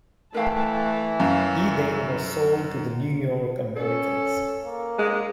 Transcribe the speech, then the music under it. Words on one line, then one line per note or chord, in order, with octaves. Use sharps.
He then was sold to the New York Americans.
E3 A3 A#4 F5 G5 A5
F#2 C#4 A#4 F5
C#4 A4
A#3
G#3